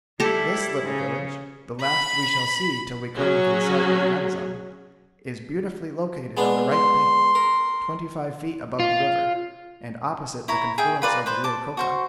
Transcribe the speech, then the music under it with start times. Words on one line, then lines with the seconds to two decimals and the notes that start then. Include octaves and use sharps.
This little village, the last we shall see till we come within sight of the Amazon, is beautifully located on the right bank, twenty-five feet above the river, and opposite the confluence of the Rio Coca.
0.20 G3 E4 G4 A4
0.83 C#3
1.82 B5
3.16 F#3 C#4 F#4 G#4 C#5
6.37 G#3 B3 D4
6.72 C6
7.35 A#4
8.80 F4
10.48 E4 C#5 A#5
10.78 G#4 E5 G5
11.02 F4 B4 D5 A#5
11.26 B4 C5
11.44 A5 D6
11.77 F#4 C5 C#6